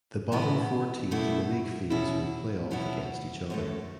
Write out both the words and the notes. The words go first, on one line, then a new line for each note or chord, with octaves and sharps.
The bottom four teams in the league phase will play off against each other.
A2 E3 B3 E4
E2 B2 A3 E4
B2 F#3 C#4 E4
E2 B2 F#3 C#4 E4
F#2 F#3 A3